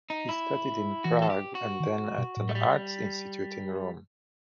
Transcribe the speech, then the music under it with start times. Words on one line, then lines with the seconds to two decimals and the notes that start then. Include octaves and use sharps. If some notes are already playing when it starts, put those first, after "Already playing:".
He studied in Prague and then at an Arts institute in Rome.
0.10 D#4
0.29 E4
1.04 E3 F#4
1.22 A4
1.30 G4
1.55 F#4
1.80 D#3
2.18 B2
2.37 A2
2.49 A3
2.55 G3